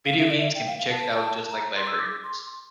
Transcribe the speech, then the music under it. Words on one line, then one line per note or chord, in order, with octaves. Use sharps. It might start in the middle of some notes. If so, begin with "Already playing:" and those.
Video games can be checked out just like library books.
F5
E5
D5
E5
G5
F5
F5
A5
A#5
C6
E6
D6
C6